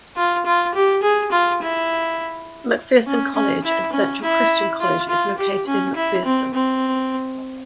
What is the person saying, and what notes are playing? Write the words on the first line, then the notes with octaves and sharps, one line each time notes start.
McPherson College and Central Christian College is located in McPherson.
F4
F4
G4
G#4
F4
E4
C#4
C#4
E4
C#4
E4
F4
F4
G4
C#4
E4
C4
C4